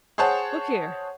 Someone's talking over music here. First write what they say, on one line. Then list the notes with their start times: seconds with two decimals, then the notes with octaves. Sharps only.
Look here!
0.18 G#4 C5 C#5 F#5 A5